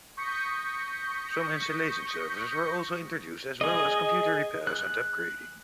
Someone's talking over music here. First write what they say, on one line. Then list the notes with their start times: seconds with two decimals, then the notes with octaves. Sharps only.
Some installation services were also introduced as well as Computer repairs and upgrading.
0.17 C#6 D#6 G6 A#6 B6 C#7
3.61 G#4 D#5
4.67 F#6